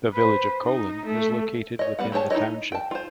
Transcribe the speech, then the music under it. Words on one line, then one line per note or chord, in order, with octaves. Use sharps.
The village of Colon is located within the township.
B4 C5
D#4
A3
C#5 D#5
G3 B3 F#5
F#3 G4 G#4 C#5 A5
D#4 E4 A#4 C#5 D#5
G5 A5
F4 C5